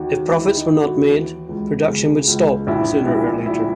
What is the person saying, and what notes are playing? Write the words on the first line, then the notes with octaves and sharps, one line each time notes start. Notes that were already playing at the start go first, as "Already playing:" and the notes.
If profits were not made, production would stop sooner or later.
Already playing: D#2 D#3 F#4
D#3 E4
D#4
D#2
F#4
E3
C#2
C#3
C#2
A#1 E4
A#2 E4
A#2 E4